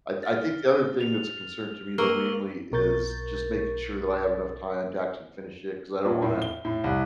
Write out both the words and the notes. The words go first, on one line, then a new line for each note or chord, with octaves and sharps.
I I think the other thing that's a concern to me though, mainly is just making sure that I have enough time to actually finish it, 'cause I don't wanna
F6 A6
F7
A#3 A#4 C#6 E6 G7
B1 B2 A#4 C#6 G6 A6
A#2
A2
G7
A2
C2